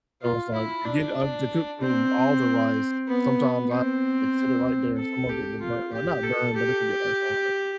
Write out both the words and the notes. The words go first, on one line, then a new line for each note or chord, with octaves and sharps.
so it's, like, to get, uh, to cook through all the rice, sometimes I have to, like, sit it right there and some of it will burn like, not burn, but it would get, like, hard.
F4
E4
D4
C4
B3
C4
A4
G4
F4
G4
A4
G4